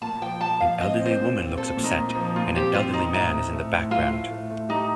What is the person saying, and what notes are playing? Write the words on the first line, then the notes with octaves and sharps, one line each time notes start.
An elderly woman looks upset, and an elderly man is in the background.
A#2 A5
F3 G5
F3 A5
F3 F5
C4 D#5
C4
C5
A#2
C4
C4 A4
A#2
D#4
A#2
D#4
F3
A#2 F4
C4 G4
C4 F4
C4 D#4
A2 D#4
A3
A3
A2
A2 F4
A2
A3
A3
D#4 G4